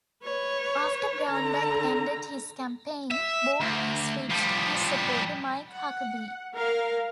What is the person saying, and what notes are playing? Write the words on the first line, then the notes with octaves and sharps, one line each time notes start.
After Brownback ended his campaign, Baldwin switched his support to Mike Huckabee.
B4 C#5
D3 A#5
E5
D2
F3 G3
F#5
A#4 F5